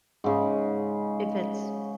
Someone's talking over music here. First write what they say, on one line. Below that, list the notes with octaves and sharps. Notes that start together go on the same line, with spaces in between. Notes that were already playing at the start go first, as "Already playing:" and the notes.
if it's
G#2 C#3